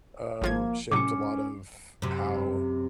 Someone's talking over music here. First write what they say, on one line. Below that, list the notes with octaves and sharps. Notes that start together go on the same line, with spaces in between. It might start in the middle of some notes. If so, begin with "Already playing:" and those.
um, shaped a lot of how
G#1 F3 A#3 G#6
A2 C3 F#3 C#4 D6 C#7
F#2 C3